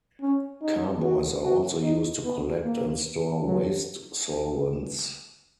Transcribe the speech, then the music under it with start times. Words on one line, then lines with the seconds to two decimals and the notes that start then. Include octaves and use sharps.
Carboys are also used to collect and store waste solvents.
0.21 C#4
0.62 D#4
1.02 F#4
1.43 F#4
1.83 D#4
2.24 B3
2.64 A#3
3.45 F#3